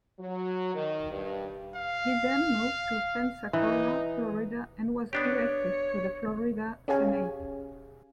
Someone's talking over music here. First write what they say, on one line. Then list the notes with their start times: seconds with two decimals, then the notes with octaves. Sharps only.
He then moved to Pensacola, Florida and was elected to the Florida Senate.
0.19 F#3
0.74 D#3
1.11 G2
1.75 F5
3.53 E3 D#4
5.13 B3 D4 G4 C#5
6.88 C#4 G4 G#4 C#5 F5 G#5